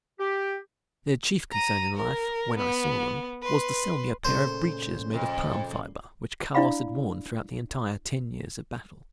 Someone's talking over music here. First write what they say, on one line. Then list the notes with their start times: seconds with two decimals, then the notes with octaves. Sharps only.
Their chief concern in life, when I saw them, was to sell me a pair of breeches made of palm-fibre which Carlos had worn throughout the entire ten years of battle.
0.19 G4
1.52 A#5 D#7
1.97 A#4
2.57 B3
3.42 B4 C6
4.25 A#2 C#3 A3 C5
5.14 F2
6.55 D4 E4 D5 F5 B5